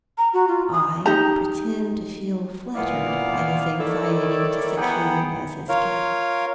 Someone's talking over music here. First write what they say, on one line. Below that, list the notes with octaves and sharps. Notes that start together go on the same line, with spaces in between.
I pretend to feel flattered by his anxiety to secure me as his guest.
A#5
F#4
F4
D#6
D#4 G4 A#5
A#2 E3 B3 E4 D5 F5
D#3 D#4 E4 A4 C#5 D5
B3 E4 G#4 F#5 G5 A#5
F4 A#4 C#5 F5